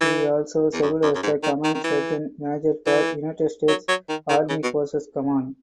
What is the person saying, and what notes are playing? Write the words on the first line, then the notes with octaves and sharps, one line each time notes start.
He also served as the command sergeant major for United States Army Forces Command.
E3
E2
F#2
F#2
F#2
G#2
D#3
D#3
D#3
E3
E3
F#3
F#3
D#3
D#3
C#3
B2